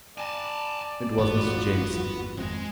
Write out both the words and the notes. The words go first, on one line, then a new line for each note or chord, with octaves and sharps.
It was Mr. Jamieson.
D5 G#5 A5
G1 E2 G#2 B3 F4 F#4
G#1 F2 G#3 C4 G#4